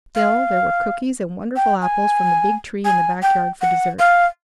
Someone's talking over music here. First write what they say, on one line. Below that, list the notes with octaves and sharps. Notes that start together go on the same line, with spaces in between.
Still, there were cookies and wonderful apples from the big tree in the back yard for dessert.
F5
G5
G#5
G#5
G5
F#5
F5